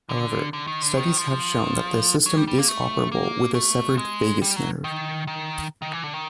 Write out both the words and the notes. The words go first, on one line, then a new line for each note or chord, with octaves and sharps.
However, studies have shown that the system is operable with a severed vagus nerve.
D3
D3
D#3
D3
D#3
F3
F#3
G3
G3
A#3
A3
A#3
A3
G#3
G3
F#3
D#3
D#3
D#3
E3
D3
D#3